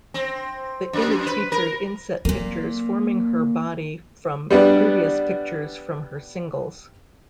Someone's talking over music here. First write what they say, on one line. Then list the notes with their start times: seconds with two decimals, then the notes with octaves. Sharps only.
The image featured inset pictures forming her body from previous pictures from her singles.
0.14 C4
0.93 F#2
1.27 B4
1.52 A#4
2.25 A#2 F#3 A#3 C4
4.50 G3 B3 D4